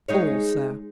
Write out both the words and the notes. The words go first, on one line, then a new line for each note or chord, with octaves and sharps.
"All, sir."
G#3 D#4 C#5